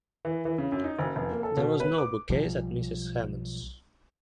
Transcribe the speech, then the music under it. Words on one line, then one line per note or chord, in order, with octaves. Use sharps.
There was no bookcase at Mrs. Hammond’s.
E3
E3
C#3
F#2
D#4
F#1
F1
A#3
A4
B2
B4
D6
B1 F3 G3